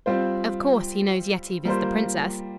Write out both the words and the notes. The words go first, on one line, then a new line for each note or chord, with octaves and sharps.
Of course, he knows Yetive is the princess.
G3 C4 F4 C5
G3 A#3 F4 C5